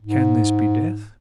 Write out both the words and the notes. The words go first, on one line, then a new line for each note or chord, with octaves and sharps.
'Can this be death?
G#2